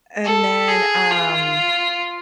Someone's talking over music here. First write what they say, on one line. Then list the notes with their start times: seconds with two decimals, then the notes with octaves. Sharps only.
And then, um,
0.25 A4
0.68 G#4
1.11 F4